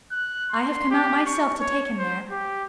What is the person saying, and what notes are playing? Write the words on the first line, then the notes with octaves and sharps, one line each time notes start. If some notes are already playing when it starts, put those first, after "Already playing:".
I have come out myself to take him there.
F#6
C6
G4
C#6
C#5
C5
G4